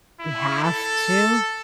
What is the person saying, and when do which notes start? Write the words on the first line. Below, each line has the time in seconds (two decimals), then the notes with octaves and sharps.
We have to?
0.20 E4
0.63 A4